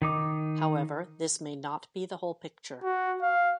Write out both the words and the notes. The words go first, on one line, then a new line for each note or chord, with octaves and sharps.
However, this may not be the whole picture.
D#3 D#4 D6
F#4
F5